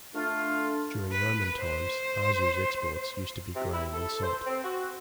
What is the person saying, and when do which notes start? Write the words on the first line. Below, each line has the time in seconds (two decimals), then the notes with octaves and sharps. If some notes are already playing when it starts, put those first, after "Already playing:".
During Roman times, Arzew's exports used to be grain and salt.
0.14 A3 D4 F4
1.12 B4
1.59 C5
3.56 C3
3.73 E4
3.93 A4
4.23 C5
4.46 C4
4.64 F#4